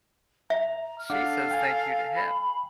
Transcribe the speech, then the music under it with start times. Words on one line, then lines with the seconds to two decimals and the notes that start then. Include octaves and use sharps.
she says "Thank you" to him,
0.50 E5 A#5
0.98 F6
1.10 D4 A4 F5 F#5 D6
1.51 G5 G#5
2.16 B5